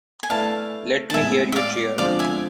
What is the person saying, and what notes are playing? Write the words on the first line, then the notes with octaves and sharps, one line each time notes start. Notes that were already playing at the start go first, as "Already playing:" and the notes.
Let me hear you cheer!
G#5
A3 E4 B4 D5 F5 A5
A5
A2 G#3 B3 E5 G#5
E5
D5 F5
D3 F3 G#3 C4 F4 D5 F5
E5 G#5